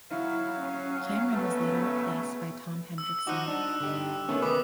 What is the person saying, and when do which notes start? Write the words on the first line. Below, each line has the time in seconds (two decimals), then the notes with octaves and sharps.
Cameron was later replaced by Tom Hendrickson.
0.10 F#3 E4 F5
0.61 C#4
1.32 C#3 F#3 A3 B3 B4
2.98 E6
3.27 F3 D#4 F#4 D6 F#6
3.48 G3 D4 D#4
3.80 D3 G4
4.29 D#2 C3 D#3 A3 B3 C#4
4.42 B4 D6 D#6